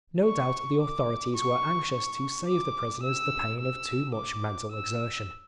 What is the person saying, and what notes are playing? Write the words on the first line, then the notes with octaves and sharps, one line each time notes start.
No doubt the authorities were anxious to save the prisoners the pain of too much mental exertion.
C#6
D6
C#6
C#6
D6
E6
E6
D6
E6